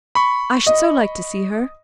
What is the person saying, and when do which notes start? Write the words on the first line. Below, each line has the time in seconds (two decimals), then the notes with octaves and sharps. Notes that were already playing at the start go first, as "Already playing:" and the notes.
I should so like to see her.
0.15 B5 C#6
0.66 D#5